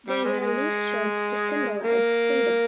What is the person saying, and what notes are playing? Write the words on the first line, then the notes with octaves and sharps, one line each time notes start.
They wear loose shirts to symbolize freedom.
G3
G#3
G#3
A#3